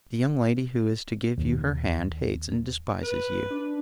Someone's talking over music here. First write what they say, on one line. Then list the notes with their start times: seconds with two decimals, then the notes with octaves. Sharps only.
The young lady who is to give you her hand hates and despises you.
1.38 D#2
3.03 B4
3.50 D4